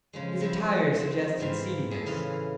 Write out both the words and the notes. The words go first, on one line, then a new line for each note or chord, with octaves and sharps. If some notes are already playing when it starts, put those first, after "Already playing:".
His attire suggested seediness.
C#3 F3 G#3
F3 C4 E4
C4
G#2 E3 C4 C5 F5
G#4 A4
A2 C#3 E3 F5 C6